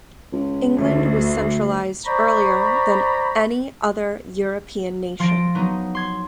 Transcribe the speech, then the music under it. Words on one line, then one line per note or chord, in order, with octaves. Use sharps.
England was centralized earlier than any other European nation.
C#2
D2
C5 D5 A#5 B5 C#6
F3 C6 A6 A#6 D7
F#3 B3 D#4
C6 G#6